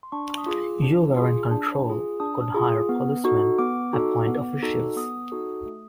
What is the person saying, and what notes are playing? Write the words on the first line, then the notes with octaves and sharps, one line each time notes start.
You were in control, could hire policeman, appoint officials.
C6
D4 C#6
D#6
F4 G#4 D6
D4
F4 G#4
D4
F4 G#4
D4 D#6
F4 G#4
B3
D#4 F#4 A4
B3 D6
D#4 F#4 A4
B3
D#4 F#4 A4
B3 D#6
D#4 F#4 A4
A3